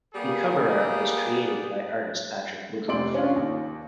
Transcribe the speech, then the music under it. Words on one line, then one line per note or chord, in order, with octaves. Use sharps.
The cover art was created by artist Patrick Woodroffe.
G3 A#3 B3 G4 G#4
F1 C3 D5 C6 D7 F#7
C#4 D4 F4
D#2